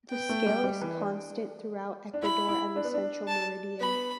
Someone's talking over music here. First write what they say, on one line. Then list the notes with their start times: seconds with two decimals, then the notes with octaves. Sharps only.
The scale is constant throughout Ecuador and the central meridian.
0.11 B3 G5
0.29 A3
0.46 G3
0.64 G3
0.82 E3
1.00 D4
2.14 D4
2.22 E4 B5
2.49 E4
2.76 D4
2.84 B3
2.94 D4
3.28 A5
3.81 B3 B5